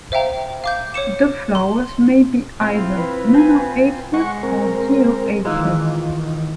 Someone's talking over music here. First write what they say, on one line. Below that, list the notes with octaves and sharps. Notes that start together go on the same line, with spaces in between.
The flowers may be either monoecious or dioecious.
C5 E5 F5 G5 A#5
F5 D6 G6
C#5 D6 C#7 E7
C6
C4 E4 F4
B4
C4 F4 G#5
G#3 F#5 C#6
C4 A#4
D#3 E3 G#3 A#3 F4